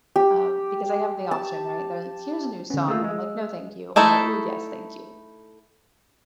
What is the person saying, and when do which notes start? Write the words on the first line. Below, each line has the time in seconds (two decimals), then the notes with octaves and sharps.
um, because I have the option, right? They're like, "Here's a new song," and I'm like, "No, thank you," or, "Ooh, yes. Thank you."
0.16 G4
1.31 A5
2.70 D3 B3 C#4
2.88 A3 A#3 F4 G#4 E6
3.04 G#3
3.96 A3 D#4 E4 A4